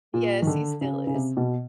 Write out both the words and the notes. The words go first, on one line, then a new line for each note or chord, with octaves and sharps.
Yes, he still is.
A#2
D#3
D3
C#3
C#3
C3
B2